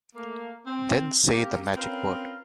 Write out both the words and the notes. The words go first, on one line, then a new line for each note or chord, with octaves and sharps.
Then say the magic word.
A3 A#3
C4
A#3 C4 G4 A#4
C4 C#4 F4 A#4 B4